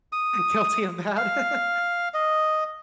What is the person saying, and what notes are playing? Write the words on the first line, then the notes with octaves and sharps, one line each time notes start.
guilty of that.
D#6
F5
D#5